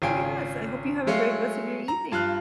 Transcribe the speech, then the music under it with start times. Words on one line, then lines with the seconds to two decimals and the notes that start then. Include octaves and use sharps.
Yes. I hope you have a great rest of your evening.
0.02 G#1 C#3 F4 G5 G#5 D7
1.07 F#3 G#3 A3 F5
1.88 A#5
2.12 G2 F4 F5 F6 F#6